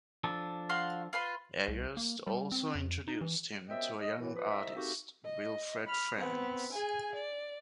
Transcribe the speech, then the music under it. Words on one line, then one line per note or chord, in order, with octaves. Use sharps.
Ayerst also introduced him to a young artist, Wilfred Franks.
F3 D4 A4
F#4 F5 C6
F4 B4 C6
C2
A#3
G3
C4
F2
D#4
E3
F#2 C3 B3 D#5 E5 G5
D#5
F#2 A2 E3
F3 B4
C2 D#4 D#5 E5
A3 A#3 C4 D#4 F#4 G4
D#5
B5 F6
B3 C4
G#4 G#5
D5